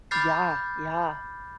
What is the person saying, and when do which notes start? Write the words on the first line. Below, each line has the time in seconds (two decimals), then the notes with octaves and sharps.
Yeah, yeah.
0.11 B5 D6 F6 G6 A6 C7